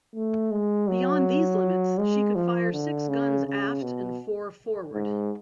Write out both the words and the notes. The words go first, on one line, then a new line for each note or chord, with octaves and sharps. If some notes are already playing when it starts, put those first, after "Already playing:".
Beyond these limits she could fire six guns aft, and four forward.
A3
G#3
F#3
G#3
F3
D3
C#3
C#3
B2
G#2